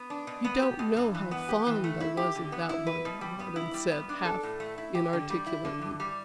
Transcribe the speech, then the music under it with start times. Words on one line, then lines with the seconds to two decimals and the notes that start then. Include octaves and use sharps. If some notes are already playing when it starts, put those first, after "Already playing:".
"You don't know how fond I was of that one," Rawdon said, half-inarticulately.
Already playing: B3
0.10 D4
0.27 B2
0.45 B3
0.62 G4
0.79 B2
0.96 G2
1.14 E3
1.31 B3
1.49 G4
1.66 E3
1.84 A3
2.00 E4
2.17 G4
2.35 D3
2.52 B3
2.69 E4
2.87 B4
3.05 B2
3.21 G3
3.39 B3
3.56 E4
3.74 G3
3.91 B3
4.09 D4
4.25 A4
4.43 A2
4.60 A3
4.78 E4
4.95 G4
5.13 D3
5.30 G3
5.47 E4
5.65 D3
5.81 G2
6.00 G3